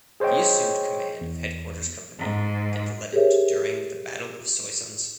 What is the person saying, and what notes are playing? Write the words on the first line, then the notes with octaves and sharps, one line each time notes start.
He assumed command of Headquarters Company and led it during the Battle of Soissons.
G#4 C5 C#5 D#5 G5
E2
G#2
G4 G#4 A#4 C5 C#5 E5